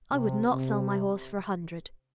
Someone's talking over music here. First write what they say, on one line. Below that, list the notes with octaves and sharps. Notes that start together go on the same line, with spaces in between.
I would not sell my horse for a hundred.
C3
C3